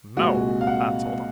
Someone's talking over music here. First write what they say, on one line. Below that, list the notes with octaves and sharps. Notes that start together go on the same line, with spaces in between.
No,' I told him.
C2 A#2 G#3 F#4
F5
F#5